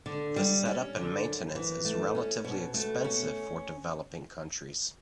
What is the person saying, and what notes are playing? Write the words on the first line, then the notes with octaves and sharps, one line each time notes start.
The setup and maintenance is relatively expensive for developing countries.
D3
G3
C#4
D3
F#2
E3
A3
C#4
B2
A3
C#4